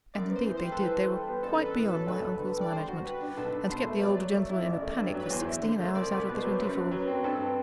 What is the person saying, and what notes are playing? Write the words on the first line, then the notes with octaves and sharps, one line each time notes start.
And indeed they did; they were quite beyond my uncle's management, and kept the old gentleman in a panic for sixteen hours out of the twenty-four.
F#2 D5
B3
C5
E3
C5
G3 B4
A4
E3 B4
E3
G3
B3
A1 A4
B4
B3
A4
A2 B4
A4
F#3
D2 B4
D2
D3
G3 D5
D3 C5
F#4
G3 B4
D4
B1 A4
D4
B2 C5
A3
F#3 D5
F#3
A3
E4
A1
A3
G2
F#3
B4
E2 C5
E4
D3 C5
A3
C2 D5
C2
B4
B2
C5
F#3
F#2 B4
F#2
F#3
C4
G2 A4
C4